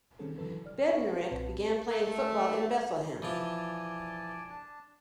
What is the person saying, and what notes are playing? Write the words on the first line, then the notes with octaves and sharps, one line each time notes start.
Bednarik began playing football in Bethlehem.
D#3 G3 C4 C#4 G#4 A4
D3 E3 F#3 A4 B4
D5 F6
D#4 A4 C#5 D5 G#5 C#6
F#4 A4 B4 C#5 F#5
B1 A#2 C4 B4 A5
A3
E3 F3 F4 D5 G#5 A5
D4 A5